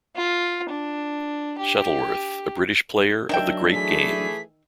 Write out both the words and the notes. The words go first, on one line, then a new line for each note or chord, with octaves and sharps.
Shuttleworth a British player of The Great Game.
F4
D4
G4
D#3 F#3 D4 E5 G5
E3 A3 G#4 B6